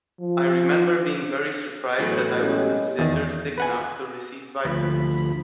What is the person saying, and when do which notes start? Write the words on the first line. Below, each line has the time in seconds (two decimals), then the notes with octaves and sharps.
I remember being very surprised that I was considered sick enough to receive vitamins.
0.20 F3
1.98 A2 E3 F#3 A3 B3
2.38 G#3 C#4 G4
2.99 E2 D#3
3.58 B4 F#5 G#5
4.65 D2 F3 B5